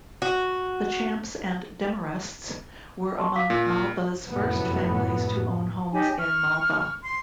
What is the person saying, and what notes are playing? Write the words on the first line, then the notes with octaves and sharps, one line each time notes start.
The Champs and Demarests were among Malba's first families to own homes in Malba.
F#4
A5 C6 C#6
F5 D6 B6
A#2
F6
F1 F#2 A2 B3
D#4 G4 C#5 G#5
C#6 F6
C6